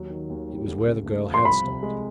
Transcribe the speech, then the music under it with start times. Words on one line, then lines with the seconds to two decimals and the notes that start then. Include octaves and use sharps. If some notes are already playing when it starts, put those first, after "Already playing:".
It was where the girl had stopped.
Already playing: D#2 F#3
0.10 D#3
0.30 D#2
0.49 G3
0.68 D2
0.87 C#3
1.06 A3
1.26 F3
1.34 C6
1.45 C2 B5
1.64 C3
1.83 G#3